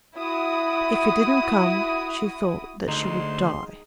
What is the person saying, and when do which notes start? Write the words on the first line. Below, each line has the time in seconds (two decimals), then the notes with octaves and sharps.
If he didn't come she thought that she would die.
0.17 E4 F#4 D#6
2.88 D2 G#3 D#4 C6